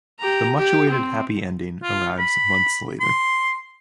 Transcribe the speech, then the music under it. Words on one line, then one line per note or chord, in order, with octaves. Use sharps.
The much awaited happy ending arrives months later.
G4 A#5
G4
C4
F4
B5
C6